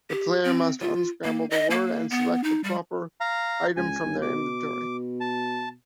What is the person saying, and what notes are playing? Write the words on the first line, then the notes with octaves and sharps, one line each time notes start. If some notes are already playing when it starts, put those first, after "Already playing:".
The player must unscramble the word and select the proper item from their inventory.
G4
C4
F4
A#3
D#5
A#3
B3
D#4
G3
F5 A#5
C#2 G#5
G1
B2 D6
A5